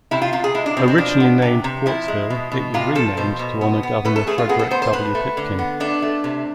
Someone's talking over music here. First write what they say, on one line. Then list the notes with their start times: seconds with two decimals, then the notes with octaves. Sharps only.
Originally named Quartzville, it was renamed to honor Governor Frederick W. Pitkin.
0.11 C3 E4
0.22 F4
0.33 C3 F4
0.44 G#4
0.54 G#3 E4
0.66 D4
0.77 B2 C4
0.88 C4
0.98 F3 D4
1.20 B3
1.42 C3
1.64 C3
1.86 F3 E4
2.08 G#3
2.30 B2
2.52 B2
2.74 C3 F4
2.95 F3 A4
3.17 B2 C5
3.39 B2
3.61 B3
3.83 B3
4.05 A3 B4
4.16 A4
4.27 A3 G#4
4.38 F4
4.49 B3 G#4
4.59 A4
4.71 B3 C5
4.82 C5
4.93 A2 B4
5.15 A3
5.37 D3
5.59 B3
5.80 A3 D4
6.02 A3
6.24 C3